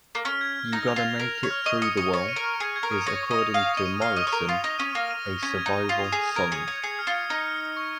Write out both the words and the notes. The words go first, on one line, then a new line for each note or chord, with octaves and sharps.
"You Gotta Make It Through the World" is according to Morrison, "a survival song".
A#3
C#4 F6
G#6
F6
D#4 A#6
F7
F4
F7
A#4 F7
F7
C#5
F6
D#5 C#6
D#5 C#7
D#5 C#7
C#5 C#6
D#7
A#4
C#6
G#4 D#7
G#6
A#4
D#6
C#5 A#6
C#6
D#5
F7
F5 D#6
D#6
D#5
D#7
F5 F6
D#5 F6
C#5
A#4 F7
F4 D#6
D#4 D#6
C#4 D#7
A#3 A#6
D#7
F6
C#4 G#6
G#6
D#4
D#7
F4 F7
D#6
G#4
D#6
A#4 G#6
G#4 C#7
C#5 G#6
G#4 C#7
F6
F4
C#7
D#4 F6
F6
F6
C#6